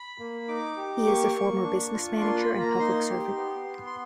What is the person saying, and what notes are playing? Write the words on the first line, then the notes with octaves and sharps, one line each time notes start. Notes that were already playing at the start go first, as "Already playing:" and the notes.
He is a former business manager and public servant.
Already playing: B5
A#3
D#4 D6
G4
A#3 C#6
A#3
D4
F4
A#3 C6
B5
A#3
A#5
D#4 C6
G4
B3
B3
C6